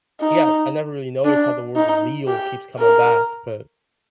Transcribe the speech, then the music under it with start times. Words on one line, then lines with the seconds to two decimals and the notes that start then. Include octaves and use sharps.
yeah, I never really noticed how the word "real" keeps coming back, but
0.20 D#4
1.25 D4
1.76 D#4
2.28 G4
2.80 A#4